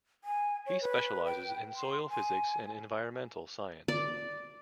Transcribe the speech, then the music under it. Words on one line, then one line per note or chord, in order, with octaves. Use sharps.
He specialises in soil physics and environmental science.
G#5
C#5
B4
G5
C6
G#5
D5